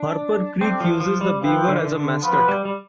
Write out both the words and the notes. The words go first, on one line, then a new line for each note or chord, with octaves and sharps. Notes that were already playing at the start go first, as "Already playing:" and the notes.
Harper Creek uses the Beaver as a mascot.
Already playing: D4
A3 C4 D4 G4
F3
F3
G3
F3 F4 B4 E5 G5
D3
E3
D3
D3
F3 B3 F4 B4
G3
G3